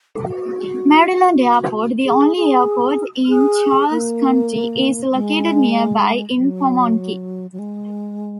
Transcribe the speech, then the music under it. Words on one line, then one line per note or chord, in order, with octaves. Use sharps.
Maryland Airport, the only airport in Charles County, is located nearby in Pomonkey.
F#4
G#4
G#4
G#4
A#3
G#3
F#3
F#3
G#3